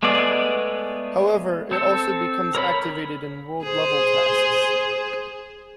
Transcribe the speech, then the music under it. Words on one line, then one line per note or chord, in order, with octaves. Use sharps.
However, it also becomes activated in word-level tasks.
G#3 A3 B3 G#4 D5
C4 A4
A#4 C#5 B5
G#4 C5